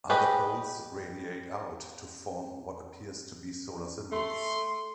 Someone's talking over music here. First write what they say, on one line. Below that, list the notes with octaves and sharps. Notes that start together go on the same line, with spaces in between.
Other poles radiate out to form what appears to be solar symbols.
G4 G#4 B4 D#5
A3 C6